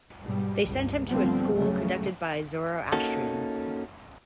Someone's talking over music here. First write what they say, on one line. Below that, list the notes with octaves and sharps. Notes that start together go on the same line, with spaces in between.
They sent him to a school conducted by Zoroastrians.
G#2 B2 G3
G1 C#2
D3 F3 G3 A3 B3 C4
A#1 E2 C#3 F#3 G3 A3
A#3 C#4 D#4 F#4 A4